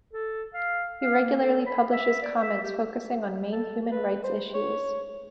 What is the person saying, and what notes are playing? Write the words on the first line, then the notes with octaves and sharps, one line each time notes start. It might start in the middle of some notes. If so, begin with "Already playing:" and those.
He regularly publishes comments focusing on main human rights issues.
A4
F5
F5
A#3
A4
B5
E5
D5
E5
G4
A4
B4
C5
C#5